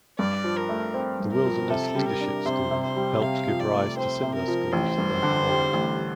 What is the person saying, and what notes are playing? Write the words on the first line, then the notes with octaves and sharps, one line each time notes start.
The Wilderness Leadership School helped give rise to similar schools around the world.
G2 D5
F3
A#4
A3
C4
G2
A#4
F3
C3 A4
G3
A#4
D4
C3 C5
C3
C5
G3
C3 F5
F3
D5
A3
C4 C5
C3
A#4
F3
A1 C5
G2
D3
G3
A1